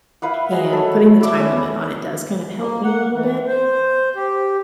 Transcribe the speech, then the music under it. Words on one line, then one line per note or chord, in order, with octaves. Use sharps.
And putting the time limit on it does kind of help me a little bit,
E4 B4 F5 F#5
F#3 G#3 G#4
A4 C#5
E4 D5 E5
C#4
A#3
F#5
E3
C5
G4